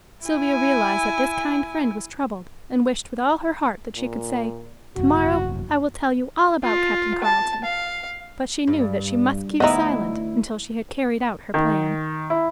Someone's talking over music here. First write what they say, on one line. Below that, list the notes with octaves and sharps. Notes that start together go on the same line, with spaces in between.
Sylvia realized that this kind friend was troubled, and wished with all her heart that she could say: "To-morrow I will tell you all about Captain Carleton." But she knew that she must keep silent until she had carried out her plan.
E4 G#5
A#2
G#1 F#2 F#4
F4
A5
F5
G2
D2 B3 D#4 E4 D#5
D#3
E4